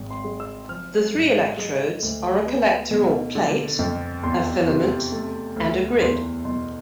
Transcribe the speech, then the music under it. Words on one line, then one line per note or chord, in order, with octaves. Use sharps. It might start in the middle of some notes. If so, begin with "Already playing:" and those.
The three electrodes are a collector or plate, a filament, and a grid.
Already playing: G#1
C6
G#3
E6
F3 F6
G#2
G#3
D2
B3
B2
D3
F2
E2 C6
C3
A3
D2
E2 C6
B2 C6